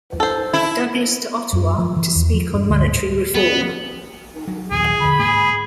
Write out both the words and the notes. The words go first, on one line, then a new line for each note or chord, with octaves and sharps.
Douglas to Ottawa to speak on monetary reform.
A4 C5
E4
F#2
F3
E3
E2
F3
G2
D2
D1
B3
F#3
A#1 D#2 G#4
D3 B5
G#2 A#3 G#4